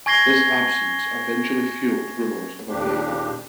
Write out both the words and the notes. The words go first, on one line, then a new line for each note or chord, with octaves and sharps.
This absence eventually fueled rumors of a break-up.
G#5 C#6 G#6 A#6 C7 G7
D#2 A#2 C#3 D4 G4